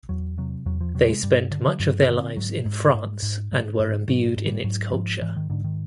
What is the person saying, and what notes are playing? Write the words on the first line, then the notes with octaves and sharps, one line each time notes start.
They spent much of their lives in France and were imbued in its culture.
E2 F#3
C3 F#3
E2 F#3
F3
C3 F#3
G#3
G2 G3
D3
G3
G2 F#3
B3
D3
C4
G#2 F#3
G#2
G#2
G#2
G#2
G#2
G#2 F#3
G#2
G3
G#2 F#3
G#2 F3
G#2 E3
D#3
G#2 D3
D#3